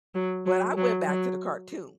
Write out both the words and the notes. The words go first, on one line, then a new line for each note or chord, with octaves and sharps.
but I went back to the cartoon
F#3
F#3
F#3
F#3